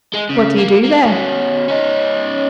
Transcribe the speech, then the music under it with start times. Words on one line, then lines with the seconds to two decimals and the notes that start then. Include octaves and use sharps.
"What do you do there?"
0.14 G#3
0.29 C#3
0.58 A#3
0.83 A#3
1.04 B2 C#4
1.68 C#4 D#4